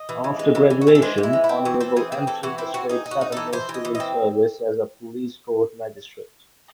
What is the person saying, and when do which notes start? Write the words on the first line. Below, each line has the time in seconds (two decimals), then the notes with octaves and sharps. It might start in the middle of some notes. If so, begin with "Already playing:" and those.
After graduation, Honorable entered the Straits Settlements Civil Service as a Police Court Magistrate.
Already playing: D#5
0.09 E3
0.24 E3
0.39 G#3
0.55 E3
0.70 E3
0.81 F#4
0.87 E3 G#4
0.95 A4
1.02 G#3 C5
1.18 E3
1.23 E4
1.33 G#3
1.44 E4
1.49 C4
1.65 E3 F#4
1.80 C4 A4
1.96 E3 G#4
2.12 C4 G#4
2.27 E3 A4
2.43 E3 F#4
2.58 C4 E4
2.74 E3 F#4
2.89 D#4 G#4
3.06 D#4
3.11 F#4
3.21 D#4
3.32 E3 A4
3.53 E3 C5
3.69 E3
3.74 D#5
3.85 E3
3.95 D#5
4.00 C4